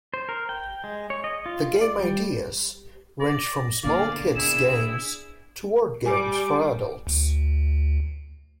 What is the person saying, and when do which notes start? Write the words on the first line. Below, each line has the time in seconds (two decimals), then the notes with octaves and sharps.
The game ideas ranged from small kids' games to word games for adults.
0.14 C5
0.29 A#4
0.49 G5
0.84 G#3
1.10 C#5
1.24 D#5
1.46 F4
1.81 D5
1.99 G3
3.20 D5 A#6
3.83 A#2 D3 A#3 B3 D5 F5
4.35 B3 D4 E4 G#4 E7
6.06 G3 G4 G#5 D6
7.07 D2